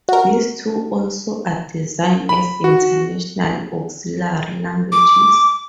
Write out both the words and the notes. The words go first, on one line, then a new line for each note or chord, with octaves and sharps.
These two also are designed as international auxiliary languages.
F#4 A#4
B5
F#4
D6